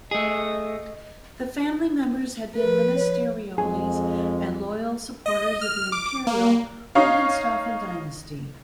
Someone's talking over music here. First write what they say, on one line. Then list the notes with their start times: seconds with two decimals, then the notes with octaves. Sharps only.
The family members had been ministeriales and loyal supporters of the Imperial Hohenstaufen dynasty.
0.11 A3 G#4 D#5
2.56 F3 A#4 B4
2.95 C#5
3.58 F2 G#3 G#4
5.26 D#5
5.61 F6
5.92 D6
6.27 A#3
6.95 D#4 C#5 F5